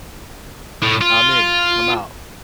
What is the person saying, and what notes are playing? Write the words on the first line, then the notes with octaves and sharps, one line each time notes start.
"I'm in. I'm out."
A2
F4